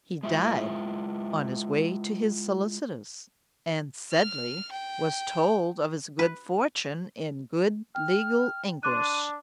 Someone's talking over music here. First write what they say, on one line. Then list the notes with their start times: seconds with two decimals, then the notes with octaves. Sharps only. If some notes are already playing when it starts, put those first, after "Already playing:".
He died on his way to his solicitors, and Sedley was told of his good fortune in good legal English.
0.23 G#3 E4 F4 E5
4.12 F6
4.71 G5
6.19 B4
7.95 G5 F6
8.83 D4 C6 D6 F#6 D#7